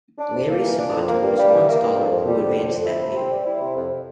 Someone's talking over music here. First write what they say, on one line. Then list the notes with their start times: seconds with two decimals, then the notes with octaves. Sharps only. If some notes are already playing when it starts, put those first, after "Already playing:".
Larry Sabato is one scholar who advanced that view.
0.19 D4
0.34 F2
0.48 A#3
0.64 E3
0.78 D4
0.94 F2
1.08 A#3
1.22 G2
1.37 G3
1.53 E3
1.67 A#3
1.82 G2
1.97 F2
2.12 F2
2.27 G3
2.41 D3
2.56 F2
2.71 F2
2.86 E4
3.02 C3
3.16 C4
3.30 G3
3.45 E4
3.61 C3
3.76 F2